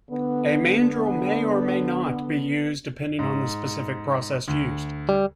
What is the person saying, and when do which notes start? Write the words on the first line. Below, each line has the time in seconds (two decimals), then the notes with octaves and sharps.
A mandrel may or may not be used depending on the specific process used.
0.10 D3 B3
3.19 G#2
4.48 D2
5.09 G3